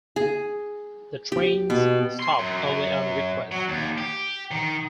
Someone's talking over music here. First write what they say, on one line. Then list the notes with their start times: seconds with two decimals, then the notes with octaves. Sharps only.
The trains stop only on request.
0.16 G#4
1.32 G4
1.70 B2
2.19 C6
2.39 F#2
3.52 F#3
3.69 D#2
3.98 G4
4.51 D#3